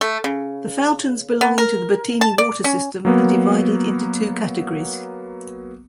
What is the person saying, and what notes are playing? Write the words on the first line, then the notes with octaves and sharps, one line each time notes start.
The fountains belonging to the Bottini water system are divided into two categories.
A3
C#3
B3
A#4
A5
D5
C#4
F#3 A#3 B3